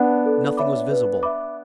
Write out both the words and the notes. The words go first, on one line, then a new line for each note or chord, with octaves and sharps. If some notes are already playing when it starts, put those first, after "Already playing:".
Nothing was visible.
Already playing: B3 D4 F#5 A5
A4
C#5 E5 B5 D6
B4
E5 B5 D6